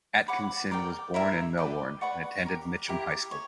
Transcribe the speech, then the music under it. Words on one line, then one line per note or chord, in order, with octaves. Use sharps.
Atkinson was born in Melbourne, and attended Mitcham High School.
C#5 F#5 B5 D6
A#4 D5 G5
E4 A#4 E5
B4 D5 G5
B4 D5 F#5 C#6
G4 A#4 C#5
E4 G4 A#4
C#5